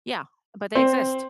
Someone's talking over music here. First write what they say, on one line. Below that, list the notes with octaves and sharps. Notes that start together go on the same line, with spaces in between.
Yeah, but they exist
C4 C5